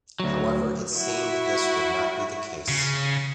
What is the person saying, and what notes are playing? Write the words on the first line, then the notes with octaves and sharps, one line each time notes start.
However it seemed this would not be the case.
D2 F#3
E4 F#4
C#3